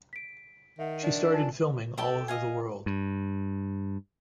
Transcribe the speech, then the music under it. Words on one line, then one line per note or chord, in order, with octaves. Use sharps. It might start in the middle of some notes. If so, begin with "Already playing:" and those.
She started filming all over the world.
B6 D7
D#3 E5 F#5
D4
F4 G#5 A5
G4 A4 G5 A5
D#5 F5 G#5
G2